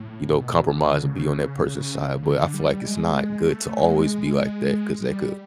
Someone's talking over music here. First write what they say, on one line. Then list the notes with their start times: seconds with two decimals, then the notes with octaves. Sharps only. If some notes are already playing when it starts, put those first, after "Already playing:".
you know, compromise and be on that person's side, but I feel like it's not good to always be like that 'cause that could
Already playing: A2
0.31 A#2
0.37 B2
0.69 D3
0.99 C#3
2.23 D3
2.54 G3
2.85 G#3
3.15 G#3
3.46 A3
3.77 G#3
5.01 G3